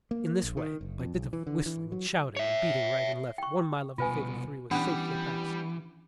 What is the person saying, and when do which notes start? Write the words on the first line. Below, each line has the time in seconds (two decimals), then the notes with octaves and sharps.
In this way, by dint of whistling and shouting, and beating right and left, one mile of the fatal three was safely passed.
0.11 A#3
0.43 A#1
0.57 D#3
0.81 F#1
0.99 F2
1.15 B1
1.33 E3
1.47 D3
1.66 E3
1.92 F#3
2.36 C#5 E5
3.38 G5 C#6
3.98 C2 B2 F4 B4 G#5
4.71 E3 G3 B3 C#4 D4